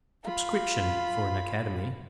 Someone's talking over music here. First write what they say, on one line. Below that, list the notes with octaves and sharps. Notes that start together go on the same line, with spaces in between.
Subscription for an Academy.
F4 B5